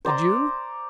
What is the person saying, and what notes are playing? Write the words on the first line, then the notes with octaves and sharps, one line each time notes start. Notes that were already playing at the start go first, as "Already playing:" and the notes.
Did you?
C5 D5 A#5 C6